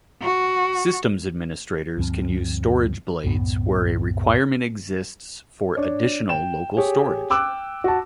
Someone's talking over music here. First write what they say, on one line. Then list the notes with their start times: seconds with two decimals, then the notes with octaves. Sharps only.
Systems administrators can use storage blades where a requirement exists for additional local storage.
0.22 F#4
1.97 D2 G2 F3 C4
3.24 C2 F#2 A2 B3
5.76 D4 C#5
6.29 G5 E7
6.77 G4 G#4 C#5
7.30 G5 D6 E6 F#6
7.84 F#4 A5